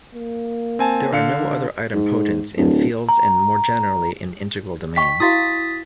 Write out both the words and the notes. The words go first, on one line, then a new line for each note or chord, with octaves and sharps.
There are no other idempotents in fields and more generally in integral domains.
A#3
C4 G#5 A5
D3 F5 C#7
G#2
D1
A#5
D#5 G5 C#6 B6
E4 F#4 F5 D#6 A6 B6